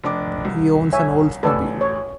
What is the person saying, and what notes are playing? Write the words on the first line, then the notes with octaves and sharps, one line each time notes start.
He owns an Oldsmobile.
F1 D4 D6
C2
C#5 E5 G#5
A1 A2 A4 B4 D5 G#5
C#5